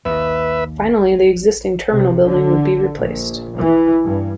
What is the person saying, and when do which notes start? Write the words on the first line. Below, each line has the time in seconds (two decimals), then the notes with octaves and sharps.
Finally the existing terminal building would be replaced.
0.05 D#2 B4 E5
1.91 C3
2.26 D3
2.96 A#1
3.56 E3
4.04 G2